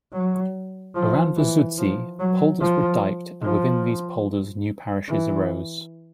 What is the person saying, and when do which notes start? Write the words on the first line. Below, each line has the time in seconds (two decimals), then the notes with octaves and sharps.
Around the Zuudzee, polders were diked, and within these polders, new parishes arose.
0.13 F#3
0.95 F3
1.37 E3
1.78 F3
2.20 F#3
2.61 F3
3.43 F3
5.08 E3